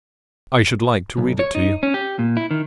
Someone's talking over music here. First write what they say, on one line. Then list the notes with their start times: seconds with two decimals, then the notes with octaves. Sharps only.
I should like to read it to you.
1.18 B1
1.39 C#5
1.55 D#4
1.83 C#4
1.94 G4
2.19 A#2
2.37 E4
2.51 D#3